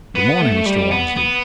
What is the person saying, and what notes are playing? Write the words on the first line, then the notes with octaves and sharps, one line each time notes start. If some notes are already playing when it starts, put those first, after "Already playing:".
"Good morning, Mr. Walmsley!"
B3
A3
G3
B3
B3